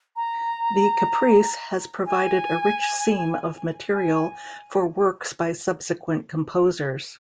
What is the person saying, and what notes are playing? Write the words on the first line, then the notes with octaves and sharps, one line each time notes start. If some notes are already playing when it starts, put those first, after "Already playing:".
The caprice has provided a rich seam of material for works by subsequent composers.
A#5
G#5
G#5